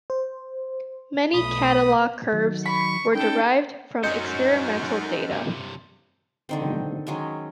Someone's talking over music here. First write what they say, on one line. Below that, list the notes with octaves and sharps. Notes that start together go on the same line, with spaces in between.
Many catalog curves were derived from experimental data.
C5
B1 B2 A3 B5 D#6
D#3 F#3
B5 C#6
C#4 D#4 A4 G5
F#2 D#4 C5 D#5 G6 C#7
G2 C3
D3 D#3 C4
D#3 F#3 G#3 C#4